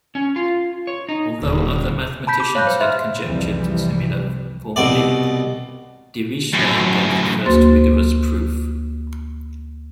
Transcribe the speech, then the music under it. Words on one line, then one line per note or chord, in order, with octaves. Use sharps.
Although other mathematicians had conjectured similar formulae, Dirichlet gave the first rigorous proof.
C#4
F4
C#5
D#4
D#1
A5 B5 G6 B6
D6
C#5 F5 B5 F#6 G6
C5
E5 C6 F6
C2 F2 C3 E3 F3 G3
C2 B2 D5
F#2 A2
D2 A#3 F#4 C5 C6 A6